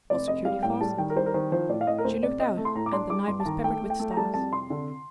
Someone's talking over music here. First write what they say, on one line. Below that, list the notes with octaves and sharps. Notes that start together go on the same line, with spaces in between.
It was securely fastened. She looked out, and the night was peppered with stars.
F1 D5
F1 D#5
G3 F5
A2 G5
G3 A5
D#3 G5
A#4
G3 C5
A#4
D#3 C5
F3 C5
A2 D5
F5
A2 D#5
A#4
D2 C5
C3 D5
C3 D#5
A3
C6
A2 A#5
D6
D4 C6
G3 D6
G2 C6
A5
D#3 A#5
A3 G5
A3
G5
A3
A#5
G3 A5
F2 A5
C3 C6
D3